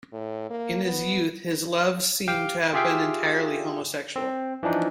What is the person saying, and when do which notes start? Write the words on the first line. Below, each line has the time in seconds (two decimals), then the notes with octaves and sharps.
In his youth his loves seem to have been entirely homosexual.
0.12 A2
0.50 A#3
0.84 B3
2.28 G4 F5 G5
2.73 F4 G4 G#4 E5 F5 G5
4.16 C4
4.63 E3 F3 D4 D#4